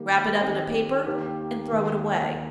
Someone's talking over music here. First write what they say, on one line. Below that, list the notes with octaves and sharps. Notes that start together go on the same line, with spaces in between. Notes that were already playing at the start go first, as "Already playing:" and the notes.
Wrap it up in a paper, and throw it away.
Already playing: D#3 G3 A#3 G4
D#3 C4 G4 D#5
D#2 D#3 A#3 G4
D#2 D#3 A#3